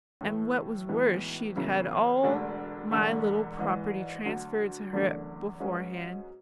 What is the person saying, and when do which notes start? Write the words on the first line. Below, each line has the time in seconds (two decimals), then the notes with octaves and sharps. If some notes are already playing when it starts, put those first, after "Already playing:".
And what was worse, she'd had all my little property transferred to her beforehand.
0.21 A2 E3 A3 E4
0.89 B1 A2 E3 G#3 B3
1.56 F#2 C#3 E3 B3 E4
2.23 E1 D2 D3 A3 D4
2.91 E1 E2 D3 A3
3.58 G#1 G#2 E3
4.25 D2 D3 F#3
4.93 F#1 E2 D3 A3 D4
5.60 G#2 F#3 C#4 G#4 B4